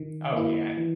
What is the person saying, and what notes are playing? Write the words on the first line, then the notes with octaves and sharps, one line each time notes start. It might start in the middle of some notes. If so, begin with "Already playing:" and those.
Oh, yeah.
Already playing: D#3
A#3 E4
E3